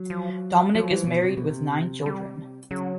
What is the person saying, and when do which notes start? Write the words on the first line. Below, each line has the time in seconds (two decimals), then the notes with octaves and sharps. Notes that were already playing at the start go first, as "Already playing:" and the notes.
Dominic is married with nine children.
Already playing: F#3
0.10 F3
0.75 F3 F#3
0.91 E3
1.04 A#2
1.07 B2
1.24 C3
1.37 B2
1.50 C3
2.06 G3
2.71 C#3 F#3